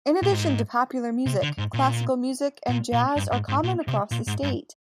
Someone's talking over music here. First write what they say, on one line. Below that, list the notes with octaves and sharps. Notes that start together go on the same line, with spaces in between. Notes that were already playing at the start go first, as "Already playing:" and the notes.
In addition to popular music, classical music and jazz are common across the state.
A#2
G#2
C3
D3
G#2
A#2
A#2
A#2
G2
G#2
G#2
A#2
C3
A#2
G#2
G2